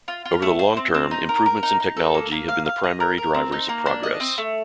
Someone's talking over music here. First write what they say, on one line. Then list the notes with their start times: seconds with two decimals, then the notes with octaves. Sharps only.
Over the long term, improvements in technology have been the primary drivers of progress.
0.08 F4
0.25 F4
0.42 A3
0.59 C5
0.77 C4
0.94 C4
1.11 D#4
1.29 A#4
1.46 A#4
1.63 D#4
1.80 D#4
1.97 A4
2.14 A#3
2.32 A#3
2.48 F5
2.66 F5
2.84 D#5
3.00 A#4
3.18 A#4
3.34 C4
3.52 D#4
3.69 A#3
3.86 D4
4.03 D#5
4.20 C4
4.38 A3